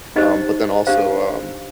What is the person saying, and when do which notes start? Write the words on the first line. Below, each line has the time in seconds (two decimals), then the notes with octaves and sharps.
um, but then also, um,
0.16 D#4 G4 C5 D#5
0.87 D4 G4 C5 F5